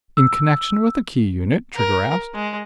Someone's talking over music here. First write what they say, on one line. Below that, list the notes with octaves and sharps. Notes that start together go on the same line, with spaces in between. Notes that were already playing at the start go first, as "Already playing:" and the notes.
"In connection with the key unit?" Trigger asked.
E6
A#4
G#3